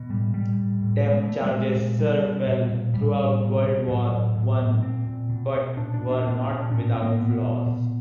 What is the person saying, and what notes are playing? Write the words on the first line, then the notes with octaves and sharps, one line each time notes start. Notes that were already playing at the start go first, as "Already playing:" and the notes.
Depth charges served well throughout World War One but were not without flaws.
Already playing: B2
A2 G3
A2 G3
A2
A2
B2 G#3
B2 A3
G3
A#2 G#3
A#2
B2 G3
B2
A#2
A#2
A2 G3
A2
B2
B2
A2 F#3
A2
A2
A2
A#2 C4
A#2
B2
B2
A#2 D4
D4
A#2
D4
A#2 D4
A#2 D4
D4
A2 C#4
C4
A2
A#3
A#2 B3
A#2
B2